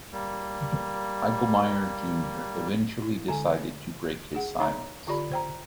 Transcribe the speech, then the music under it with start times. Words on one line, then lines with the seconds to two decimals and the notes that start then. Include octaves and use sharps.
Hilgemeier Junior eventually decided to break his silence.
0.13 G3 A#3
3.02 E4
3.28 D3 G#3 G#5
4.35 G#4 F#5
4.60 D#4 C#5 E5 A#5
5.07 D3 F4 G4 D5 B5
5.32 C5 G5 A#5